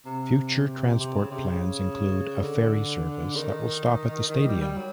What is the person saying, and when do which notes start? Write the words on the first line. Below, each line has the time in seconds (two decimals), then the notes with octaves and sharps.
Future transport plans include a ferry service that will stop at the stadium.
0.06 C3
1.00 C3
1.16 C#3
1.31 C3
1.46 C#3
2.41 D3
3.36 D#3
4.30 D#3
4.45 G3
4.62 G3
4.77 F#3